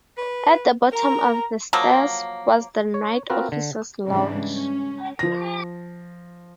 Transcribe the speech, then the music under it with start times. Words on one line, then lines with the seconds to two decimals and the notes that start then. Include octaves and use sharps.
At the bottom of the stairs was the night officers' lodge.
0.18 B4
0.93 A#4 A#5
1.73 F3 F#3 A#3
2.94 C#5
3.30 C4 F4 F#4 A#4 B4
3.52 D3
4.07 G#2 C#3 E3 G3 D4
4.52 C#4
5.19 F3 A#6